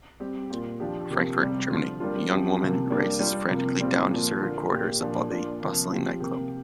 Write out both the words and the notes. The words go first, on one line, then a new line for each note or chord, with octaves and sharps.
Frankfurt, Germany: A young woman races frantically down deserted corridors above a bustling nightclub.
G3 C4 G4
A#2 A#3 F4
F3 D4 G4
C3 F3 A#3 G4
C3 G3 C4
D3 F3 C4 F4
G3 A#3 D4 F4
F3 C4 G4
C3 F3 A#3
G3 A#3 D4
G3 D4 F4
C3 F3 A#3
A#2 G3 C4 F4
A#2 F3 A#3
D3 A#3 F4
A#2 A#3 G4
A#2 F3 A#3 D4
A#2 A#3 D4 F4
C3 F3 A#3
F3 C4 G4
C3 A#3 G4